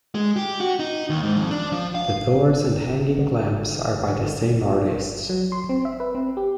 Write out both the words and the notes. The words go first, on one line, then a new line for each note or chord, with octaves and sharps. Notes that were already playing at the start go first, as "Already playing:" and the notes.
The doors and hanging lamps are by the same artists.
G#3
G4
F#4
D#4
D#2
G#2
F2
D4
F3
F5
D3
F#3
C6
C4
E5
B4
C4
G4